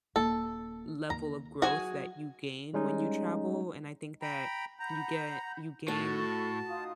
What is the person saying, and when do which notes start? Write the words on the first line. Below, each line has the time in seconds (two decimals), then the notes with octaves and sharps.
level of growth that you gain when you travel, and I think that you get you gain,
0.16 D#1 A#3 A4
1.10 D#2 D#3 A#5
1.62 F#3 F#4 G#4 G#5
2.74 G3 G#3 C#4 D#4
4.22 G5 A#5 B5
4.80 F#5 A#5 B5 G6
5.88 A2 F#4 A4 A5 C#6
6.66 D#4 F4 D#6